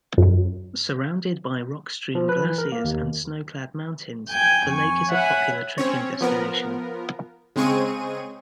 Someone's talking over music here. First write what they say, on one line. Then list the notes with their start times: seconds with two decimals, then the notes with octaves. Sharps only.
Surrounded by rock-strewn glaciers and snow-clad mountains, the lake is a popular trekking destination.
0.18 F#2
2.15 F3
2.29 B4
2.45 E3
2.58 A#4
2.72 A#3
2.84 D#2
4.30 G5 G#5 G6
4.68 F2 G#5 C#6
5.10 C#5 E5 F#5 G#5 B5
5.78 C4 C#4 C#5
6.21 F3 B3 A#4
7.56 C#3 G#3 C4 G#4 C#6 D#7